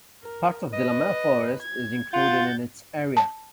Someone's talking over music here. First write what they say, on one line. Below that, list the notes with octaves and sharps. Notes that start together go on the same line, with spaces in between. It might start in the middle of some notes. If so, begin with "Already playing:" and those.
Part of Delamere Forest is included in its area.
A#4
B4 D#5
G#6
F4 F#5 G6 A6
A5